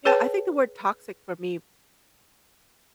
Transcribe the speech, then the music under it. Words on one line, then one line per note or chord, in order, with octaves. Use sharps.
Yeah, I think the word toxic for me
G#4 B4 C#5 G5 A5